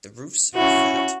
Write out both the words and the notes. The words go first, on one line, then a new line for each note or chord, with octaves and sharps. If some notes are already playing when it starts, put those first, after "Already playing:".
The roofs are flat.
C#4 E4 F#4